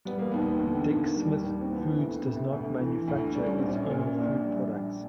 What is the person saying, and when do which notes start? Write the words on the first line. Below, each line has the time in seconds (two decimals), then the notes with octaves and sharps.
Dick Smith Foods does not manufacture its own food products.
0.05 G3 B3
0.18 A#3
0.31 D#2 B3
0.61 D3
0.89 D#2 A#3
1.16 G3
1.43 D#2
1.61 C4
1.71 E3 B3
1.98 D2
2.25 C3
2.52 D2
2.80 E3
3.08 D2
3.35 G3 D4
3.46 C#4
3.58 C4
3.63 A#1
3.69 C#4
3.90 A#2
4.17 A#1 D4
4.45 G3
4.73 A#1